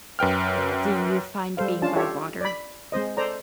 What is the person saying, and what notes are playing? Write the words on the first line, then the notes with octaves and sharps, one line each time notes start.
Yeah, do you find being by water
F#2 B4 G5 F6
G3 A4 C5 F5
C#4 D4 F4 A5
F4 G4 A4 C#5 E5
D5 B5
G#3 C4 C5 D#5
A4 C5 D5 A#5